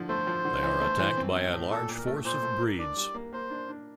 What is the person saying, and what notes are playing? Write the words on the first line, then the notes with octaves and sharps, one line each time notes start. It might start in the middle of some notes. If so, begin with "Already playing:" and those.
They are attacked by a large force of 'breeds.
Already playing: D3 F3
A3 C5
F3
D3
E3
A3
E3
C4
C4
A2
A#2 A4
A#2
A#4
A3
A#2 C5
A3
A#4
D4 D5
G3
A#3
A#3 C5
D4
D4